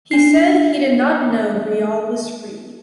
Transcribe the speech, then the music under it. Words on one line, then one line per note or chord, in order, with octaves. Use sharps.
He said he did not know Ryal was free.
D4 C7